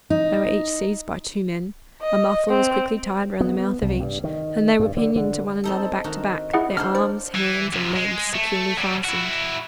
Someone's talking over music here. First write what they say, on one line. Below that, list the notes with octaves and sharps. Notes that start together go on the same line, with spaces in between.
They were each seized by two men, a muffler was quickly tied round the mouth of each, and they were pinioned to one another back to back, their arms, hands, and legs securely fastened.
D#4
D#5
C4
B3
C2
G2
D#3
G2
D3
D3
C4 D#4 A4
D#3 D#4 F#4
E4 G#4 F#5
D4 D#4 C5 F6
C5 D5
E3
F#2 C3
G#3
A3
F#3 G3
E4 F#4